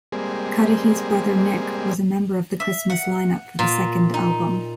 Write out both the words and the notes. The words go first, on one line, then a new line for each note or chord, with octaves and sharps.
Cudahy's brother Nick was a member of the Christmas lineup for the second album.
G3 G#3 A#3 C4 G#4
E5
F#5
A#2
D#4